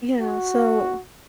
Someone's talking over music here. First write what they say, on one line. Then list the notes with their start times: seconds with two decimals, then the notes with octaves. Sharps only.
Yeah. So,
0.20 F#4